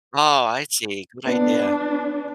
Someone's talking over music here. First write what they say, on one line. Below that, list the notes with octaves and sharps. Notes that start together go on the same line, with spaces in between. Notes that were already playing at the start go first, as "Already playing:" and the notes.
Oh, I see, good idea.
B3 D4